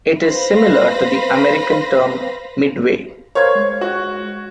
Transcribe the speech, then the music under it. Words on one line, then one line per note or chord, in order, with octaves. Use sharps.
It is similar to the American term 'midway'.
B4 C5 F5 B5 A#6
A#4 C5 C#5 F5 G#6
G#3
F#4